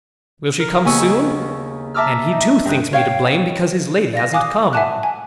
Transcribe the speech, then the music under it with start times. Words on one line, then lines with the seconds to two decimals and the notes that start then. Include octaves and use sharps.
Will she come soon?' And he, too, thinks me to blame because his lady hasn't come.
0.60 A#4
0.85 D#2 C#3 B3 G#5 C#6 E6
1.94 E5 A5 A#5 D6 E6 F6
2.32 D#4
2.65 G2 D#3 F#6
2.93 C#5 F5 G5
4.13 D5 F5 A#6
4.33 F5 G#5 D6 D#6 F#6
4.73 E5 F#5 G#5 A5 D6 F#6
5.03 G#5